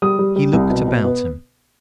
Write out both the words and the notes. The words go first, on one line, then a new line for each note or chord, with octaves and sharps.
He looked about him.
G3 D#6
G3
G3
C2
B2
B2
B3